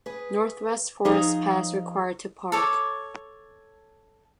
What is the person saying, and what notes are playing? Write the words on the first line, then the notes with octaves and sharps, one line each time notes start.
Northwest Forest Pass required to park.
G#4 B4
F3 D#4 G#4 D#5 A#5
A4 C#5 D6